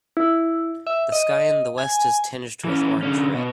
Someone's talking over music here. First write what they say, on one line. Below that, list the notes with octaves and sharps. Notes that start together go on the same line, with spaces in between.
The sky in the west is tinged with orange red.
E4
E5
D#5
G#5
E3 C#4
D3 C#4
B2